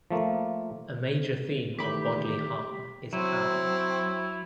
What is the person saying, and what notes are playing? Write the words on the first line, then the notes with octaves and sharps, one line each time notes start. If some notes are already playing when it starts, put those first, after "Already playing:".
A major theme of "Bodily Harm" is power.
F3 A3 A#3
D#3 E3 A3 G4 B5 D6 B6
F#3 C4 E4